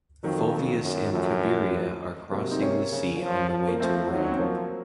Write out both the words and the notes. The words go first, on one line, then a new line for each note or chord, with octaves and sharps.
Fulvius and Cabiria are crossing the sea on the way to Rome.
F2 D#3 F#3
F#2
F#2 F3 A3
C3 F#3 A#3
C4 D#4
A#3 C#4
C#3
F3
F3
A#3
F3 A3 C4
F#3 D#4
C#4
C4
F3 F#3 A#3